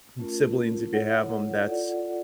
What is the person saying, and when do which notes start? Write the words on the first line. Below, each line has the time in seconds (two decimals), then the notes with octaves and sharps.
and siblings, if you have 'em, that's
0.19 A3 C#4 F4 A#4
0.93 E4 A4 C#5 F#5
1.68 F4 A4 D5 F#5